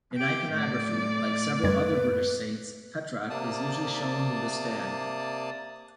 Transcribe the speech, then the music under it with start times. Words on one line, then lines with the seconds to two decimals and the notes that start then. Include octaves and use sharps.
In iconography, like several other British saints, Petroc is usually shown with a stag.
0.17 G4 G5
0.52 A2 D5
1.63 F#2 G3 B4 G#6
3.30 C3 A#3 D5 A5 D#6